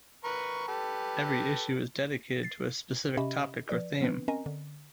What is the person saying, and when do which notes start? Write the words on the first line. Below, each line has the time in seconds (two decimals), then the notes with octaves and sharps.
Every issue is dedicated to a specific topic or theme.
0.24 A#4 B4 C#6
0.68 G4 A4 B4
2.43 A6 C7
3.17 C3 C#4 G4 D#5 E5 B5
3.69 F3 B4 D5
4.00 D3 F3 B3 C4 D4 B4
4.28 C4 C#4 A#4 D#5 G#5 A#5
4.46 D3